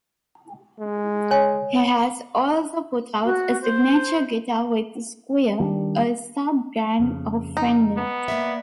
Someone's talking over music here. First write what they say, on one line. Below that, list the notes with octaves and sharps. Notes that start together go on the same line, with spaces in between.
He has also put out a signature guitar with Squier, a sub-brand of Fender.
G#3
C#5 G#5
F#4
C5
D#3 G3 C#4 D4
F2 C#3
D#4
B3
A#3 D5 E5